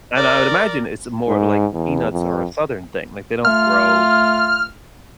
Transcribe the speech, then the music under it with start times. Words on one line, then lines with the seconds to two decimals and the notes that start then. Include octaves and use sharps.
and I would imagine it’s more, like peanuts are a Southern thing, like, they don’t grow,
0.16 A#4 D5
1.27 G#2
1.74 E2
2.12 F2
3.45 A3 F4 F6